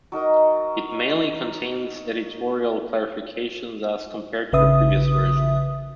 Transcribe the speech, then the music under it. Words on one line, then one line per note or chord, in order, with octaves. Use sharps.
It mainly contains editorial clarifications as compared to the previous version.
F#3 D#4 A#4 D#5
A1 C#3 B4 E5 D#6